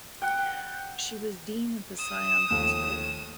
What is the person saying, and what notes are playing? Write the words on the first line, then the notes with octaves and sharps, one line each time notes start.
She was dean of the Sion hospital.
F#5 G5
D#6 E7
D#2 F3 A3